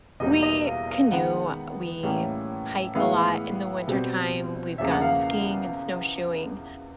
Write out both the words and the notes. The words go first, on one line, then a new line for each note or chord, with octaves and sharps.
We canoe, a we hike a lot in the wintertime, we've gone skiing and snowshoeing,
E2 B2 G3 A#3 D#5
D#5
F5
F5
D#3 G#3 B3 F#5
A2 E3 G3 A#3 C#4
A2 E3 G#3 B3 E4 F5
B2 G3 C4
E2 C#3 F3 A#3 E5
F#5
F5